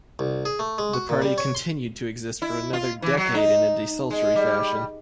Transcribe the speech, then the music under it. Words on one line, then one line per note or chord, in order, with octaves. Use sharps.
The party continued to exist for another decade in a desultory fashion.
C2
G#4
A3
G#3
F#4
A#2
G3
C#5
C6
E4
F4
E3
F#3
D#4
G#3
G3